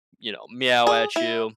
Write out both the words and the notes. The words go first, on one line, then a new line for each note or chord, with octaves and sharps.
you know, meow at you.
G#4
E4